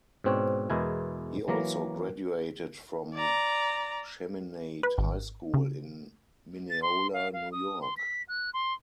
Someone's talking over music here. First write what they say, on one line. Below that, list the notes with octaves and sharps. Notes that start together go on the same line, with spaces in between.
He also graduated from Chaminade High School in Mineola, New York.
G#2 B2 C4 D4 C#5
E2 B2 G#3 E4 A#4 G#5
E3 F#3 A#3 A#5
D5 A#5
B4
G#1
C#3
A6
C6
F5
F5
D#6
C6
B6
F#6
C6